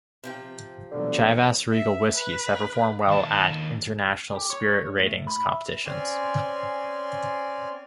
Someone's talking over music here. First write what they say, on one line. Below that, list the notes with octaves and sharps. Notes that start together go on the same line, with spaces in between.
Chivas Regal whiskies have performed well at international spirit ratings competitions.
C3 F3 G5
B2 D3 E3 F#3
E5
B4
D#2 A5
G4
C#5
G2
A2
B5
E5
C4 C#4 D5 G#5 C6 F6